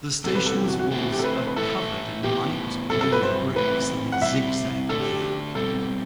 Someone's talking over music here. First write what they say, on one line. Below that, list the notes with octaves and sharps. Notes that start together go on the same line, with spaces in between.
The station's walls are coved in light-blue bricks in a zig-zag layout.
E2 C3 G3 A4
B4
A4
G4
F#4
F#4
D3 A3 C4 E4
F#4
G4
A4
B4
C5
B4
A2 E3 A3 E4 A4
A2 E3 B3 E4 G4
G2 F#3 C4 E4 A4
A4
B4
C5
A2 E3 A3 C4 E4 B4
F#5
C3 G3 C4 E4 E5
D3 A3 D4 A4
G4
G4
G4
B2 G3 C4 A4